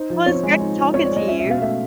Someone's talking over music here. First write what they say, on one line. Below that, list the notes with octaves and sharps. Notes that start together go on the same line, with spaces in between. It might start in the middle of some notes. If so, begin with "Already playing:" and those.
Well, it's great talking to you.
Already playing: D#4 C5
F3
C4 C#5
G#3
D#4
F3
C4 C#5
D5
G#3
D#5
C#4 E5
E5
B2
F5
A3 E5